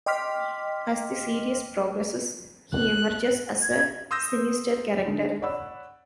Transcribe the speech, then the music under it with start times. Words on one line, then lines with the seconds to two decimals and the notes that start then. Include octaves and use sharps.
As the series progresses he emerges as a sinister character.
0.06 D#5 G5 C6 D6 F6 B6
2.74 F#6
3.61 G#6
4.11 C6 D#6 E6 G6 A#6
5.06 D3 G#3 D#4
5.42 C#5 D5 F#5 B5 E6